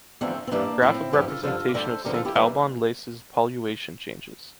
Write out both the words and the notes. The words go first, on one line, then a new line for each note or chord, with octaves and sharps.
Graph of representation of Saint Alban Leysse’s poluation changes.
E2 D3 F3 A3 C4
C4
G2 E3 G3 A#3 D4
A2 F3 C4 E4
G2 F3 E4 G4
F4 A4
G2 D3 F3 F4 A4
D5
D2 D3 G3 A4 C5
D2 D3 F3 G4 A#4
F4 A4
E4 G4
E3 G3 A#3 D4